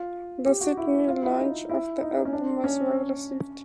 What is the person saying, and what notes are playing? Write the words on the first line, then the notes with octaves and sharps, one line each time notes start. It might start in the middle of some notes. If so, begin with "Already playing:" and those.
The Sydney launch of the album was well received.
Already playing: F4
G4
F#4
E4
F4
E4
D#4
E4
D#4
C#4
D4
C#4